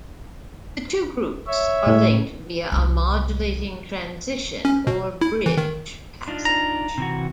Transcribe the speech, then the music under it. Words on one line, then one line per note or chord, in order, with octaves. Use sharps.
The two groups are linked via a modulating transition, or bridge, passage.
C#5 E5
A2
C2 F#3
C#4
B2
E4
E3
D#3
D4 D#4 F4
A#5
C3 E3 F#4